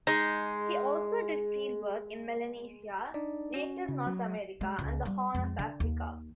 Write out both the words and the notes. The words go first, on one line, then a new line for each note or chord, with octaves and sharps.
He also did fieldwork in Melanesia, Native North America and the Horn of Africa.
G#3 D#4
D4 D#4 D5
C#4 F#4
C#3
F#3
G#3
C#2
G3
F2 G#3
D3
D#2